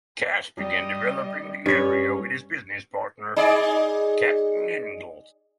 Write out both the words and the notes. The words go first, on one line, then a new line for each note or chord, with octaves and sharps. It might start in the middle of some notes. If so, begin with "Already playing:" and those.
Cass began developing the area with his business partner, Captain Ingals.
G3 D#5
G2 C#4 C#5
D#4 G#4 D5